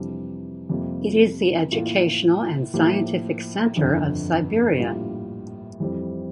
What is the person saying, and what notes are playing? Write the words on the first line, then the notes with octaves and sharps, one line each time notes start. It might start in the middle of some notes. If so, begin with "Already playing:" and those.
It is the educational and scientific centre of Siberia.
Already playing: F2 C3 E3 G3 D4
F2 C3 G3 A#3 F4
A2 E3 A#3 F4
A2 F3 A#3 E4 G4
G1 F2 D3
A#1 A2 G3 A#3 F4
F2 E3 G3 C4